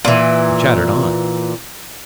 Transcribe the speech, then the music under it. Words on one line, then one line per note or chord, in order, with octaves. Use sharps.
He chattered on.
A#2 E3